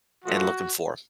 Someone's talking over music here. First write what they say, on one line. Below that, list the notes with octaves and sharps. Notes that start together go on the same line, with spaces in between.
and looking for.
A#2 F3 A3 F#4